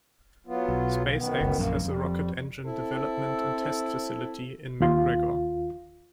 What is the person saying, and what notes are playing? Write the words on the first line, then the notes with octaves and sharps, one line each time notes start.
SpaceX has a rocket engine development and test facility in McGregor.
F#3 B3 F4
B1
F#2 D#3 B3
F#1 C#2
A#1 F#2 A#3
F2 G3
C4 E4 A4
D#2 F4